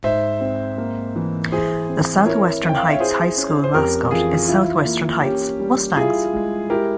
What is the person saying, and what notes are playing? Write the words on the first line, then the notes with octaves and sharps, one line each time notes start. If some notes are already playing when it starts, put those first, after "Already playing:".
The Southwestern Heights High School mascot is Southwestern Heights Mustangs.
G#2 C5 E5
C4
A#3
E3
E4 G#4 C5
C4
E4 A#4 C#5
C4
G5
F5
E5
C#5
E4 G#4 C5
C#4
C5
F2 G4 A#4
E3 F4 G#4
E4 F4
A#3
C#4 G4
G3
E4 F4 G#4
G#3
E4 G4 A#4